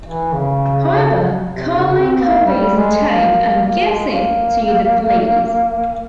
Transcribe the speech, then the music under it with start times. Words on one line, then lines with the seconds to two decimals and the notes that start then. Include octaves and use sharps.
However, Carly copies the tape and gives it to the police.
0.09 E3
0.33 C#3
1.51 C3
1.75 C#3
1.99 C4
2.22 A#3
2.46 G3
2.77 G#3
3.09 A#3
3.41 A#3
3.64 A#3
3.88 G#3
4.12 A#3